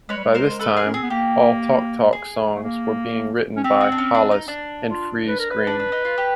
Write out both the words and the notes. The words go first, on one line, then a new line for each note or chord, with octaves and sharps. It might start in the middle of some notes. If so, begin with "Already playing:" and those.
By this time, all Talk Talk songs were being written by Hollis and Friese-Greene.
G#3 B4 C#5
G3
G#3
A#4 C5
A4 B4
G#4 A#4
C#4
C4 G#4
B3
A#3 G4
G#4
A3
A#3
C#4
C4 G4
F#4
D4
C#4
D4
D#4
D4
F4
B4
A#4
B4
D4
D4
D#4
F4
G4